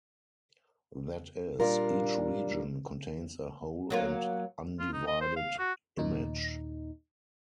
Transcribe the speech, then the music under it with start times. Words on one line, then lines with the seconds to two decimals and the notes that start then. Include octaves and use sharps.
That is, each region contains a whole and undivided image.
1.60 A#2 G3 D4 F4 A#4
3.90 F#3 A#3 F4
4.80 F4
4.93 D#4
5.08 D#5
5.21 C5
5.37 F5
5.59 F#4
5.97 D#2 A#2 D#4